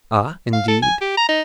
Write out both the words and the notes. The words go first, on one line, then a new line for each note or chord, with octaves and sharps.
"Ah, indeed?"
F5
A4
G#5
G4
A#5
D#4